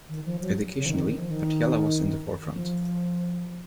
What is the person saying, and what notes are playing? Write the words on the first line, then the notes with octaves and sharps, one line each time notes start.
Educationally, Patiala was in the forefront.
D#3
F3
F#3
C#3
F3
D#3
D#3
F3
D#3
D#3
F3